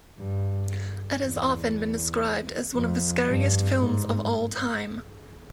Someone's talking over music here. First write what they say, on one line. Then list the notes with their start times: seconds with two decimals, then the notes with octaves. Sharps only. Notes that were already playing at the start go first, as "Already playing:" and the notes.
It has often been described as one of the scariest films of all time.
0.18 G2
1.21 E2
2.75 F2
3.27 G2
3.78 G#2